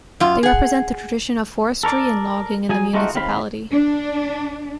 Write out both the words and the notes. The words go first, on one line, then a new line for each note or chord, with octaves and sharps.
They represent the tradition of forestry and logging in the municipality.
F#2 F4
G#4 F#5
A4 A#4 C#5 D5
F#3 G#4 G#5
G#3 A3 C4 D#4 F4 F#4
D#2 C4 G4 F5 B5
D4